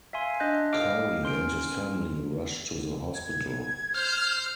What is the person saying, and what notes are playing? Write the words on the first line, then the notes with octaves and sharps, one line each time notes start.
Cory and his family rush to the hospital.
E5 F5 G#5 C6
D4 D#5 F#6 G6
D#5 F5 D6 F6 D7
C#4 C6 F6 D7
G#6
C5 F6